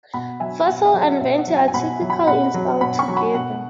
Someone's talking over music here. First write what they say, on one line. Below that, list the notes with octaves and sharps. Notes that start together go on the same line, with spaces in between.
Fossil and Venti are typically installed together.
B2 F#5 B5
F#3 E5 G#5
B2 F#5
E5
F#3
F#5
B2 E5
F#5
F#3
E5 G#5
G#5
B2 F#5 B5
F#3
F#5 B5
B2 F#5 B5
F#3
B2 F#5 B5
G#5 C#6
F#3
F#5 B5
B2 F#5